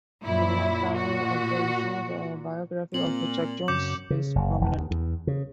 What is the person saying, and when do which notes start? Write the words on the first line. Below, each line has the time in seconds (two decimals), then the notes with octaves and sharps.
In one panel of the issue, the biography of Chuck Jones is prominent.
0.24 F#2 A#2 E4
0.96 F#4
2.94 A#2 C4 F#7
3.68 F#2 C#3 D6 G6 C#7
4.10 C#3
4.36 F#1
4.61 E1
4.78 D#2
4.91 E2
5.27 C#3